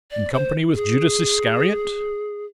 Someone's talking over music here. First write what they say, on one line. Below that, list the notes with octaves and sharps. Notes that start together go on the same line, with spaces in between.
"In company with Judas Iscariot?"
D5
C5
G#4